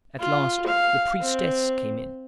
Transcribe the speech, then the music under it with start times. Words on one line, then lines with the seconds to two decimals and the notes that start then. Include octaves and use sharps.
At last the priestess came in.
0.20 F4
0.67 F5
1.21 C4